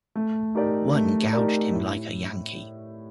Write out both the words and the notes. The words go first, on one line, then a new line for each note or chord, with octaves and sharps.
One gouged him like a Yankee.
A3
D#4 G4 A#4 D5
A3
D#4 G4 A#4 D5
A2